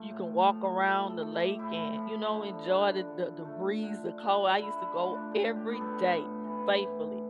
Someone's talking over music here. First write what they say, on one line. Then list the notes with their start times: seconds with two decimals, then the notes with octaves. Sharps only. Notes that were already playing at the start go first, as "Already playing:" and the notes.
you can walk around the lake and, you know, enjoy the the the breeze, the cold, I used to go every day faithfully,
Already playing: A3 F4 G4
0.10 A2
0.47 F3
0.84 A2 A4
1.10 A4
1.23 A3
1.35 G4
1.59 A2 E4
1.97 F3
2.34 D3
2.70 D4
3.08 D3
3.45 A3
3.83 D3
4.20 D4
4.57 D3 E4
4.76 E4
4.94 A3 F4
5.13 D4
5.32 A2
5.56 G4
5.69 B3
5.81 A4
6.06 A2
6.44 E3
6.81 A2